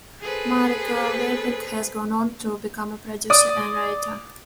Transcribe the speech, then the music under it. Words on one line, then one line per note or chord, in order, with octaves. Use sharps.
Mark Weinberg has gone on to become a producer and writer.
G#4 A4 B4 C5
D5 D6 D#6